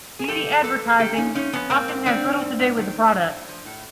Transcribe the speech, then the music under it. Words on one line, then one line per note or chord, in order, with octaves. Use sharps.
Beauty advertising often has little to do with the product.
G#4
F3 G4 A4
F3
F2 A4 B4
F2
D3 G4 A4
F2 C#4 D#4
F2 C#4 D#4
F2 B3 C#4
G#2 A#3 C4
G#2
D#3 C4 D4
D#3
G#2
G#2
D#3
G#2
A2
A2
F3
A2